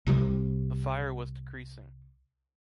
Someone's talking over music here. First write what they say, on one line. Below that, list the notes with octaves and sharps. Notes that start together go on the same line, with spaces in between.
The fire was decreasing.
C2 C3 E3 G3